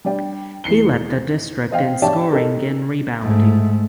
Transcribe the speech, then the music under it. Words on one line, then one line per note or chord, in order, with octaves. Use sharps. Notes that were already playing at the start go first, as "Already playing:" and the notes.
He led the district in scoring and rebounding.
G3 D4 D5 G5
E2 C7 C#7 G7
C5 D#5 F5 G5
G4 C#5 D5 E5 G5 A5
D#4 G4 A4 A#4
G#2 A3